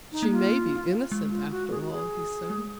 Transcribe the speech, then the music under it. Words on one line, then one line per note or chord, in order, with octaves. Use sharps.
"She may be innocent, after all," he said.
D#4
A#3
F4
G#3
F4
F#4
G#4
F#4
G#4
G#3